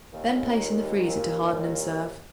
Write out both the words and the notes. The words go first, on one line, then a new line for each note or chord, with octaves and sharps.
Then place in the freezer to harden and serve.
D#2 A#2